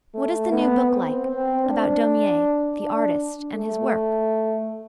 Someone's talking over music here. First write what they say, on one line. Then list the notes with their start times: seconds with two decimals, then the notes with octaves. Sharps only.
What is the new book like, about Daumier, the Artist and his Work?
0.15 A3
0.52 B3
0.90 C4
1.28 C4
1.66 D4
2.80 D4
3.55 A3